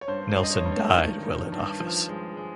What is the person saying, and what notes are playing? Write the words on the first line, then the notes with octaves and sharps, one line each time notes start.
Nelson died while in office.
C#5
G2 C5
C5
G2
D#5
C#5
G2
C#5
D#3
D#3
G2
F3
G#3
G#3